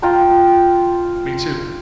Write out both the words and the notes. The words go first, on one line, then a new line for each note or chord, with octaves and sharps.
Me too
F4 G5 A#5